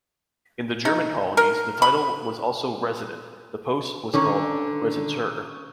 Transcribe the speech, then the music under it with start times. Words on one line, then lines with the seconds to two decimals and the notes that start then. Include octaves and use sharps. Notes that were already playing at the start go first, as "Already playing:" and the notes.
In the German colonies, the title was also Resident; the post was called "Residentur".
0.85 D#4
1.37 A#4
1.82 B5
4.13 D3 D#3 C#4 A#5 C#6 D6